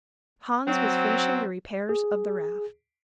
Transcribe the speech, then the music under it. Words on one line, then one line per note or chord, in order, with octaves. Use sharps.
Hans was finishing the repairs of the raft.
F#3 C4
G#4